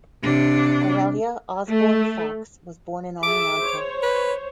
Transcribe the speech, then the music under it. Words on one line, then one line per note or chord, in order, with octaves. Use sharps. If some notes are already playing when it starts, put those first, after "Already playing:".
Aurelia Osborn Fox was born in Oneonta.
C3 D4
A3
G#4 A4 E5 D6
C5 C#5
B4